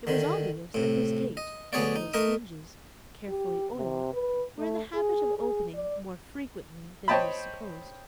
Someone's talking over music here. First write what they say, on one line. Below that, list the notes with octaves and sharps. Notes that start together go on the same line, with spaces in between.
It was obvious that this gate and those hinges, carefully oiled, were in the habit of opening more frequently than was supposed.
D3 D#3
A2 C3
D#5
D2 B3 G#4 C#5 D5
D#4
A3 D#4 A#4 D#5 D#6
G4
C3
B4
A3
G#4
G#4
D5
C5 C#5 D#5 G5 A5 B5